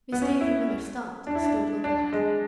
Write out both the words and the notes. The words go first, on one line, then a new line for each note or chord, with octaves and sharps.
Miss Daisy Miller stopped and stood looking at him.
B3
C#4
E4
D4
E4
D4
D4
G#3